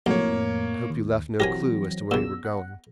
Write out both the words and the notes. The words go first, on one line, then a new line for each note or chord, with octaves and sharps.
"I hope you left no clue as to where we were going."
B1 F2 A2 A#3 C#5
D#2
E3 F#3 C4 G4 A#4 G#5 A#6
E2 A#2 E6
F#5